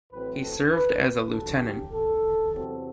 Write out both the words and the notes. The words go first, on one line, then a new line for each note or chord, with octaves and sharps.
He served as a lieutenant.
A1 A2 F#3 C4 B4
A4
B4
A1 G2 D3 F#3 A4
G4
A4
E2 C3 F#3 C4